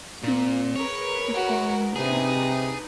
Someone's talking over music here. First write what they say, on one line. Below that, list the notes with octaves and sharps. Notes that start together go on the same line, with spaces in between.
Studios the following year.
A#2
G#4 A#4 B4 C#5
F#4
C3 D4 D#4 G#4 B4